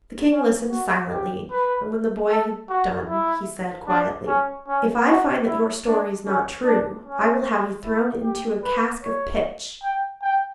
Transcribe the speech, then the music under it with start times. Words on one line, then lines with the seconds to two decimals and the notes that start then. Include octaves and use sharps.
The king listened silently, and when the boy had done, he said quietly: 'If I find that your story is not true I will have you thrown into a cask of pitch.'
0.32 C#4
0.71 F#4
1.11 G4
1.51 B4
2.30 A4
2.69 F#4
3.09 E4
3.88 D4
4.27 C#4
4.68 C#4
5.07 F#4
5.47 E4
5.87 D4
6.26 C#4
6.65 D4
7.06 C#4
7.84 E4
8.23 G4
8.64 B4
9.03 C#5
9.83 G5
10.22 G5